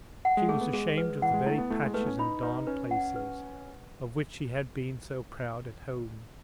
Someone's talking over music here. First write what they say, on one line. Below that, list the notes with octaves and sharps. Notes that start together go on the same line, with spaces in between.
She was ashamed of the very patches and darned places of which she had been so proud at home.
F#5
G#3
A3 G#4
B3
G#3 G#4
B4
E3 F#5
G#3
A3 E4
B3
A3 E4
G#3
A3 B4
B3
C#4
D#4 B5
D#4 B4
C#4 B4
F#5
B4